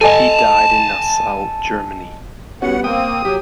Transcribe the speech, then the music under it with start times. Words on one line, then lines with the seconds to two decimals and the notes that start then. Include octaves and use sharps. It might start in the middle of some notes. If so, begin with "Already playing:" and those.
He died in Nassau, Germany.
0.01 A4 D#5 G#5 A5
2.62 G3 B3 C#4 F#4 F#5
2.84 A#3 C4 G5 D#6
3.25 F#3 G4